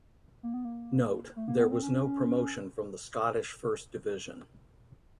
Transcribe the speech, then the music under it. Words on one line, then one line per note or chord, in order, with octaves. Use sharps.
Note: There was no promotion from the Scottish First Division.
A#3
B3
A#3
A3
A#3
B3
C4
C#4